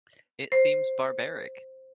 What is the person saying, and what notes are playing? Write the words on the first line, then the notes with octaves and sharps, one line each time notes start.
It seems barbaric.
C5